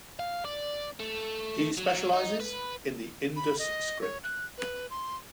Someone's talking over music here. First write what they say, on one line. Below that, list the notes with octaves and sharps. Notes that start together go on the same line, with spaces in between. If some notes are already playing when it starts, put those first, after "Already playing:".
He specializes in the Indus script.
F5
D5
A3
F#3
D#4
B4
B5
D#5
C#5
F#6
B4
C6